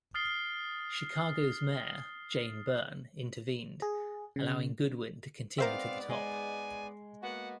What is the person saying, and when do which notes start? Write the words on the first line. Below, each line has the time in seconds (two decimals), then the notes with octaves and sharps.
Chicago's Mayor, Jane Byrne, intervened, allowing Goodwin to continue to the top.
0.14 D#6 F6 A6 C7 G7
3.82 G#4
4.36 C#3
5.58 G#2 B3 C4 A#4 C5 D5 E5 F5
6.10 G#3 G#5
7.22 A#3 B3 F#4 F#5